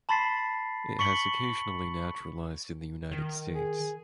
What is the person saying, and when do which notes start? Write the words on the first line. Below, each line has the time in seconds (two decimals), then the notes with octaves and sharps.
It has occasionally naturalized in the United States.
0.09 A5 B5 C6 A6 B6 C7
0.99 C#6 B6 C#7 F#7 G7
3.11 D#3
3.55 G#4